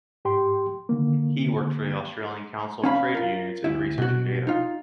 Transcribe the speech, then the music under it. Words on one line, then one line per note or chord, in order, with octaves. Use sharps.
He worked for the Australian Council of Trade Unions in research and data.
G#2 G4 G5 C6
D3 D#3 A#3
C#4 F5 B5
F4 A#4
D2 E4
B2 F#4
D#4 F4